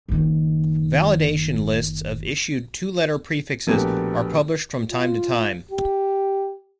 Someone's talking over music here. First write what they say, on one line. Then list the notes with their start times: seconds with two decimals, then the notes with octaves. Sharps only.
Validation lists of issued two-letter prefixes are published from time to time.
0.08 F#1 D#3
3.67 A#1 B2 A3 B3 G4 A#4
4.91 F4
5.71 G4